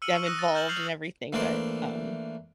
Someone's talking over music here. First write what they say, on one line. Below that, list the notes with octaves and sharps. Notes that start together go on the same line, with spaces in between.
them involved and everything, but, um
E6 F6 C#7 D#7 F#7
C#6 E6
D#6 E6 F#6 A#6 D#7
A6
F6 G6 A6 E7 F#7
F6 G6 C7 F7 F#7
E3 A3 A#3 D4 C5 D5